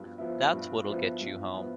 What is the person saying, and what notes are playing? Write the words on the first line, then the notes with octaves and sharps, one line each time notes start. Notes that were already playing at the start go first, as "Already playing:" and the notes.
That's what'll get you home.
Already playing: G2 F3 B3
F3 B3 E4
G2
F3 B3 E4
G2
F3 B3 E4